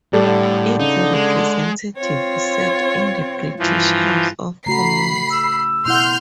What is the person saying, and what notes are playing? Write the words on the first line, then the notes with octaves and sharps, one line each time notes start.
Its representatives sat in the British House of Commons.
A2 G3 D4 A4
D3
C#3 D#4
G#3
C4 F4 C#5
G2 E3 F3
C#3 A3 F#4 A#5 B5 C7
E6
B2 E4 F#5 C6 F6 G6